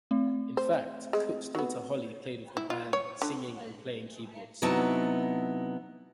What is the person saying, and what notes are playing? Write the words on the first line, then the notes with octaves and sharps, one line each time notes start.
In fact, Cook's daughter Hollie played with the band, singing and playing keyboards.
A3 C4
C5
G#3
F#3 B3
E4
F4
C#5
D3
C3 F#3 B3 D#4 E4 A5